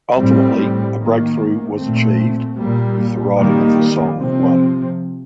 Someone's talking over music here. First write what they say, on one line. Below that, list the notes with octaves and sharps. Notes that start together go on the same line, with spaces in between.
Ultimately, a breakthrough was achieved with the writing of the song "One".
A2 G3 C4
D#3 A#3
A#2 A3 C4
A#2 G3 A#3
D#3 G3 A#3
C3 F3 C4